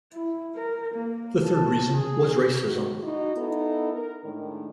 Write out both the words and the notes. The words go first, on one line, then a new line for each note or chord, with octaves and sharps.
The third reason was racism.
E4
A#4
A#3
A5
G#4
D#3 F#4
D#4 E4 F#4
B3 D#4 E4 A4
A#4
A2 D#3 G#3 D4